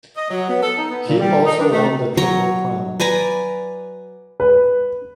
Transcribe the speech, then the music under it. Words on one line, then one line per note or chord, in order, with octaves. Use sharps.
He also won the Triple Crown.
D#5
F#3
B3
A4
D#4
B3
A#2
G3
D#4
D4
A3
F#3 C#5 A#5
B4 D5 G#5 A#5
B4